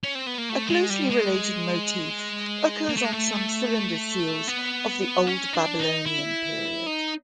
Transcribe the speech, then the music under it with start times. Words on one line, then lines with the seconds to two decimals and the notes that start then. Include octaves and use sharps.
A closely related motif occurs on some cylinder seals of the Old Babylonian period.
0.03 C#4
0.15 C4
0.27 B3
0.38 A#3
0.50 A3
0.70 G#3
0.90 G3
1.10 G#3
2.89 A#3
2.97 A3
3.05 G#3
3.12 A3
4.48 B3
5.27 C#4
5.53 D4
5.80 D#4
6.06 E4
6.86 D#4